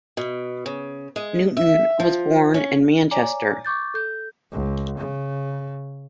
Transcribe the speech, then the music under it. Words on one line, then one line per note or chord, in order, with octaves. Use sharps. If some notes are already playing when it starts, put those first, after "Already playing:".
Newton was born in Manchester.
B2
C#3
G#3
E5
F3
C#4
C#5 D5 G#5 A#5 D6
C#6 D6 G6 A6
A4 G6
C#2
C#3